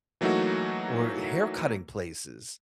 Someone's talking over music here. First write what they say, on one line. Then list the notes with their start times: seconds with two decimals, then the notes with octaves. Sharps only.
or hair cutting places
0.21 E3 F#3 A3 A#3 D#4 F#4